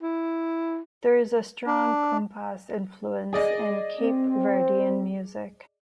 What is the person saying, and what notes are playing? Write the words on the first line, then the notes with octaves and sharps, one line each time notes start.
There is a strong compas influence in Cape Verdean music.
E4
D4
G#4 D5 D#5
C4